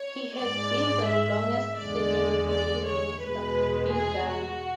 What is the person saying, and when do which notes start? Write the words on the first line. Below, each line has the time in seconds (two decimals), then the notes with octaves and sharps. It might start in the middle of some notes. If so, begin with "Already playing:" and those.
He has been the longest serving Information Minister in Ghana.
Already playing: C#5
0.36 G#2 G#3 D5
1.07 E5
1.79 E2 D3 G#3 D5
2.50 D5
2.86 C#5
3.21 E2 B2 G#3 B4
3.93 G#4
4.29 F#4